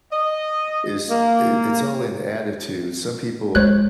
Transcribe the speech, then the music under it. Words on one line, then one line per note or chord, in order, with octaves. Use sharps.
is i it's all in attitude. Some people
D#5
A#3
G#3 C5 C#5 F#6